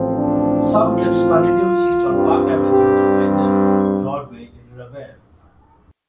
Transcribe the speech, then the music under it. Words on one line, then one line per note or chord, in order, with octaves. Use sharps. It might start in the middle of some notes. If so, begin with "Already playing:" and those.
Some trips continue east on Park Avenue to end at Broadway in Revere.
Already playing: A1 A2 F3 C4
D4
F4
G2 G3 C4
G4